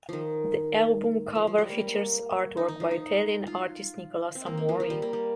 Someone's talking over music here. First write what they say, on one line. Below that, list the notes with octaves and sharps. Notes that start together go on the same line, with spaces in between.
The album cover features artwork by Italian artist Nicola Samori.
D#3 F3
F3
F3
G3
A#3
D#4
D#4
F3
D#4
F4
C4
A#3
A#3
F3
F3
G3
A#3
G3